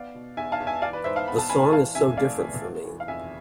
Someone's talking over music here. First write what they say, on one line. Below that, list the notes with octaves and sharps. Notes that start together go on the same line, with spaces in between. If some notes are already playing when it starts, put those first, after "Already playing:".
The song is so different for me.
Already playing: B3 D5 F5
B2
E2 E5 G#5
F5 A5
E2
E5 G#5
E3 D5 F5
B4 D5
G#2 C5 E5
F5 A5
B3 B5
A5
G#1 G#5 B5
E3 F5 A5
C3 E5 G#5
A3 D5 F5
E2
B3
E3
F5
F2 E5 G#5